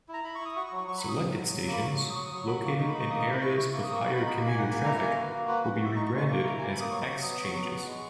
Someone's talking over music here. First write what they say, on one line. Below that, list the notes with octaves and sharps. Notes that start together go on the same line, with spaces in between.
Selected stations, located in areas of higher commuter traffic, will be rebranded as Xchanges.
E4
A#5
E4 B5
E4 C#6
D#6
F#4 C#6
C#6
F#3
C#6
F#3 C#6
B5
F#3 C#6
D#6
F#3
F#3
F#3
A#3
B5
F#3 C#6
F#3 C#6
D#6
F#3 C#6
D#6
F#3
C#6
F#4 B5
A#3 C#6
D#4 C#6
B5
D#4
C#6
A#3 D#6
A#5
E4
B5
E4 C#6
E4 C#6
A#3 C#6
D#6
A#3 C#6
F#4 B5
B5
D#4
B5
A#3 B5
G#5
A#3
F#5
A#3 G#5
E4 A#5
A#3 G#5
A#5
F#4
B4
A#3
F#4 B4
F#4 B4
F#4
E5
D#4 C#6
C#6
G#3
C#6
A#3 C#6
E4 A#5
A#3 G#5
B5
A#3
D#6
F#3 C#6
B5
F#3
B3 D#6
D#6
F#3
C#6
B3 C#6
F#4
G#3